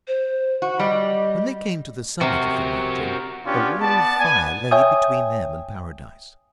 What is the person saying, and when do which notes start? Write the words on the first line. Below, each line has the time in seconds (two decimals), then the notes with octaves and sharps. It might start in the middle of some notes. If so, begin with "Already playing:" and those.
When they came to the summit of the mountain a wall of fire lay between them and Paradise.
0.08 C5
0.62 F#4
0.79 G3 D#5
2.21 C3 F#4 A#4
3.44 B3 C#4 D4 F4 G4 C#5
3.80 B3 D5 A5
4.19 B3 G#5
4.71 C#5 E5 G5 G#5 D#6